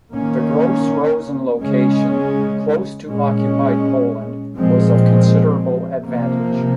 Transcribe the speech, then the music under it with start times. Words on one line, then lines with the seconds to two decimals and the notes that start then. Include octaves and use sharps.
The Gross-Rosen location close to occupied Poland was of considerable advantage.
0.12 D#3 A#3 C#4
1.61 C#3 G#3 C#4
3.08 A#2 G#3 C#4
4.57 A#2 F3 G#3 C4
6.04 C3 F3 A#3